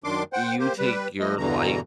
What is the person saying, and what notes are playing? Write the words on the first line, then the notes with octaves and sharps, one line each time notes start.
you take your life
F#2 D#3 D4 C6 D6
C5 F#5 G5
A#3 G4 C5
G3 B4
F3 G3 A3 D#5
E2 G2 B2 D3 E3 A#5